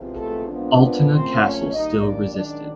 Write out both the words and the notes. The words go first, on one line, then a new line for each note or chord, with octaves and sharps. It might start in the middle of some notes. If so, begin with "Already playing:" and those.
Altena Castle still resisted.
Already playing: E2 C3 F3 G#3
A3 A4
A#2 F3 G#3 B3 D4
B3 B4
F#2 C#3 F3 A3 C4 C#4 C5
C#4 C#5
D#3 G3 A#3 D#4 D#5
D4 D5
F#2 D#3 G#3 C#4 D4 D5